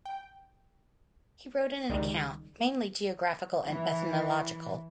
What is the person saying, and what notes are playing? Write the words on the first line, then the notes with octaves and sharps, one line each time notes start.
He wrote an account, mainly geographical and ethnological.
G5
C#2 D#3 G3 G#3 D#4
E3